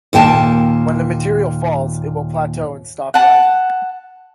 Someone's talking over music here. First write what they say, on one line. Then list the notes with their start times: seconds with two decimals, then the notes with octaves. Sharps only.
When the material falls, it will plateau and stop rising.
0.13 D#2 A#2 G5 A5
3.14 F#5 A5